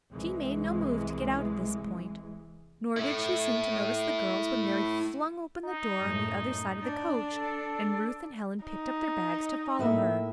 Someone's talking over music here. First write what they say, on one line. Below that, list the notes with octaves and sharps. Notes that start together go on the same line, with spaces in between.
She made no move to get out at this point, nor did she seem to notice the girls when Mary flung open the door on the other side of the coach, and Ruth and Helen picked up their bags to follow her.
C2 E3 G#3
A3 E4
D#4
F#2 A2
D4
A4
D#4
A2 A#3 E5